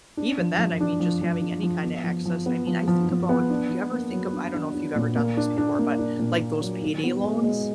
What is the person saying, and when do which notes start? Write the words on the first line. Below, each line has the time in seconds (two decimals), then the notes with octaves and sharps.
even then, I mean, just having any kinda access, I mean, I think about you ever think of I don't know if you've ever done these before, but, like, those payday loans?
0.17 D4
0.38 F3
0.59 F3
0.81 D4
1.00 F3
1.22 F3
1.42 D4
1.63 F3
1.84 B3
2.04 F3
2.25 F3
2.46 B3
2.67 F3
2.88 F3
3.09 F3
3.29 B3
3.50 D4
3.71 D4
3.91 A#3
4.12 F#3
4.33 D4
4.54 D4
4.74 D4
4.96 A#2
5.16 A#3
5.37 D4
5.58 D4
5.79 A#3
5.99 D4
6.19 A#2
6.41 D4
6.61 F#3
6.81 D#3
7.03 B3
7.23 G#3
7.44 G#3